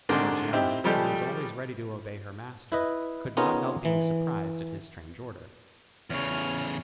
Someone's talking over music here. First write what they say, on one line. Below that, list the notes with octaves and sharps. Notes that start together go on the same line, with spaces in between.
Morgiana, who was always ready to obey her master, could not help being surprised at his strange order.
C2 G#2 D3 D4 A#4 C6
C4 D#4 E4 G4
C#3 F3 G3 G#3 G4 A4
E4 B4 D#5
B3 C#4 D#4 F4 G#4 A#4
E3
E2 C#3 C#4 F6